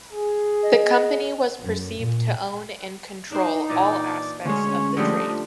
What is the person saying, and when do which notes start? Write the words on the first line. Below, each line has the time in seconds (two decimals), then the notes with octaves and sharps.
The company was perceived to own and control all aspects of the trade.
0.13 G#4
0.63 D#5
1.59 F#2
1.99 A#2
3.32 D4 D#4 C5
3.70 A#2 E3 D5
4.46 D2 G#3 C#4 C#5
4.97 D3 F3 G3 A3 D4 D#4